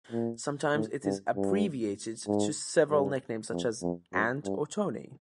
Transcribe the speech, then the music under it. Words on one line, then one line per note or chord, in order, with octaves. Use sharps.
Sometimes it is abbreviated to several nicknames such as Ant or Tony.
A#2
A2
G2
G2
G#2
G2
F2
F2
F#2
G2